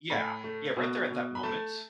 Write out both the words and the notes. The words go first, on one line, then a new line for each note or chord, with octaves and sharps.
Yeah. Yeah, right there at that moment,
A2 B5
A3
B2
B2
B5
A3 A5